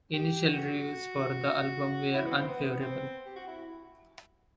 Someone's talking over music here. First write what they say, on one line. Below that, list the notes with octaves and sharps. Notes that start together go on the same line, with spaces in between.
Initial reviews for the album were unfavorable.
G4
F#4
E4
B3
C4
B3
B3
C4
G4
F#4
E4